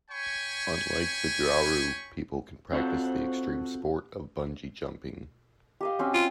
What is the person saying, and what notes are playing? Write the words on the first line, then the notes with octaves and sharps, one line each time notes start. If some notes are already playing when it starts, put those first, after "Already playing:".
On Lake Vidraru, people can practice the extreme sport of bungee jumping.
C#5 G5 G#5 B5 C#6
C4 F4 F#4 A4 C5
G4 D#5 F5
C4 C#4 F#4
F4